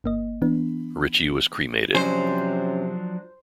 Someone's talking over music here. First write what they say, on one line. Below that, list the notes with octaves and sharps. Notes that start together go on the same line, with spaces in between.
Ritchie was cremated.
G1 A#3 D#5
E3 B3 D4
C3 F3 F#3 C#4 D4 C5